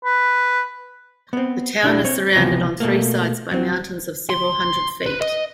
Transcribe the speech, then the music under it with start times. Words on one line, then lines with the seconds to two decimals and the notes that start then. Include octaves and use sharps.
The town is surrounded on three sides by mountains of several hundred feet.
0.04 B4
1.33 B3 C4
1.83 B1 D4 E4 G4
2.04 C4 C#5
2.35 C#2 C3 E3 F3 B3
2.80 B2 A3 A#3
3.51 F#3 C4
4.30 C6
5.06 B4
5.21 D#5